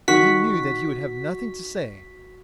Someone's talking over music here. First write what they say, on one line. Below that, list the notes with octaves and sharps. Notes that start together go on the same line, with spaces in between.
He knew that he would have nothing to say.
D#3 F#3 F#4 B6